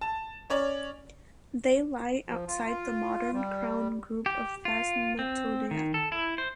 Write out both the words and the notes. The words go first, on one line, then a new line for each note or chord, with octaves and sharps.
They lie outside the modern crown group of Phasmatodea.
A5
C#4 C#5 D5
F3
F4
F4
G3
G4
F4
C4
D#3
A4
E4
C5